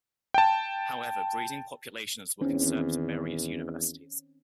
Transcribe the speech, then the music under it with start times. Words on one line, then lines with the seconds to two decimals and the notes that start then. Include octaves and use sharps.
However, breeding populations were conserved at various Universities.
0.34 G5 A5
2.41 E2 D#3 C4 C#4